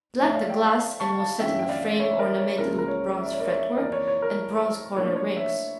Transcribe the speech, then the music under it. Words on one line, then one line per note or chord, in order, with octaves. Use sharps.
It lacked a glass, and was set in a frame ornamented with bronze fretwork and bronze corner rings.
A2 F3 A3 C#5 E5
D5 F5
E5 G5
F5 A5
A5 C#6
F5 A5
G2 E3 A3 C#4 F4 E5 G5
G5
D5 F5
C#5 E5
A#4 D5
C#5
C#2 C#3 F3 A#3 A#4
A#4
C#5
E5
D5
C#5
A#4 D5
C#5 E5
F2 E3 A#3 E4 A#4 D5
C#5
C#5
A#4
A2 F3 A#3 D4 C#5
C#5
C#5 E5